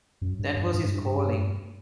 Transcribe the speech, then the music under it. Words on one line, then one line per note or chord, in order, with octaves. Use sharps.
That was his calling.
F#2
G2
G2
G2
G#2
G2